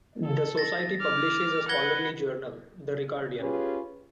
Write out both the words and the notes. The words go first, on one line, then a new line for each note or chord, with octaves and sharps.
The society publishes a scholarly journal, The Ricardian.
A4
A6 A#6
D6 F6
B4 F#5 G#6 A#6 G7
C#4 F4 G4 G#4 B4